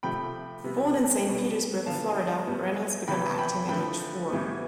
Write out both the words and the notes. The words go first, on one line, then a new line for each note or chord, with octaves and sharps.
Born in Saint Petersburg, Florida, Reynolds began acting at age four.
C3 F3 A3 G5 B5
C3 G3 B3
B2 G3 B3
D3 F3 B3 F5 A5
A2 G3 B3
C3 E3 B3 G5 B5
A5
G5 B5
D3 F3 A3 G5 B5
A2 E3 G3 B3